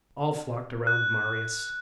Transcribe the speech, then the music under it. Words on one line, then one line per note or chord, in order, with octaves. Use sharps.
All flocked around Marius.
F#6